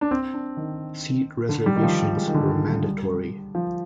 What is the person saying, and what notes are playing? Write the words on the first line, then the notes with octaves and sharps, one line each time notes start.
Seat reservations were mandatory.
D4
C4
D4
D#3
D3
G3
D#3
F3
G#3
D#3
D3
D#3
G3
G3
F3